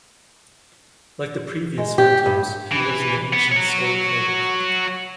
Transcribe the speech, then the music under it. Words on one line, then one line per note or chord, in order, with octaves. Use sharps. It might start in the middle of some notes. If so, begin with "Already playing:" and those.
Like the previous Phantoms, he lives in the ancient Skull Cave.
G#3
G4
G2
E3
B3
F#4 C#5